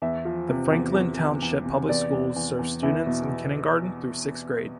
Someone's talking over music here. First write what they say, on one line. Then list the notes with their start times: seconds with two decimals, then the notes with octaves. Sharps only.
The Franklin Township Public Schools serve students in kindergarten through sixth grade.
0.02 E2 E5
0.25 F3
0.49 C3
0.72 E2
0.95 E2
1.18 E2
1.42 E2
1.65 C3
1.89 E2 D5
2.12 E2
2.36 E2
2.59 E2
2.83 E2 E4
3.06 B2